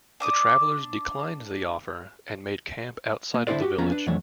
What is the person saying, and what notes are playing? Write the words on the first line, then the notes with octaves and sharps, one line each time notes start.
The travelers declined the offer and made camp outside of the village.
D4 D6 D#6
A#3
D3 D4 E4 F#4 C5 D5
F#4 G4
F2 B3 C#4 F4 A#5
D4 B4
F2 E3 F#3 A3 D4 C#5